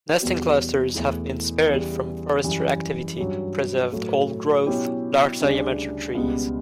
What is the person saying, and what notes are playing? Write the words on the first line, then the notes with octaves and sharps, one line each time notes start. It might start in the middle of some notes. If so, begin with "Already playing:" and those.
Nesting clusters have been spared from forestry activity to preserve old-growth, large diameter trees.
E2 B2 G3 B3 F#4
E2 B2 A3 E4
E2 C#3 G3
F#2 E3 G3
G2 F#3 C#4 G4
A2 F#3 A3
B2 F#3 C#4 E4 G4
D2 C#3 G3 D4
C#2 B2 G3 B3